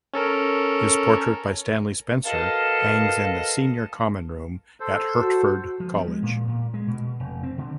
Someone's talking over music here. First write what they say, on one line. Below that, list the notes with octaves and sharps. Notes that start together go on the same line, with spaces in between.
His portrait by Stanley Spencer hangs in the Senior Common Room at Hertford College.
C#4 A4 A#4
B2 A4 A#4 D#5 F5
A4 C5
F#4
F3
B3
G#3
A#2
A#2
G#3
B2
F1
C4
D3